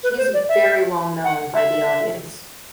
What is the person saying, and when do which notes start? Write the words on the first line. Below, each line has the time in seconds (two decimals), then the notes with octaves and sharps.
She is very well known by the audience.
0.03 B4
0.17 C5
0.34 D5
0.49 E5
1.24 F#5
1.55 E5